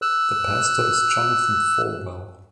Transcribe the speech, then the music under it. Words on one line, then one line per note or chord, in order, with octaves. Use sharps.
The pastor is Jonathan Falwell.
E6 F#6